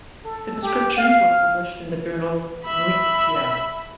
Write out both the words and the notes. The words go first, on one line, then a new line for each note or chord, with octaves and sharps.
The descriptions were published in the journal "Nuytsia".
A4
G4
F5
E5 B5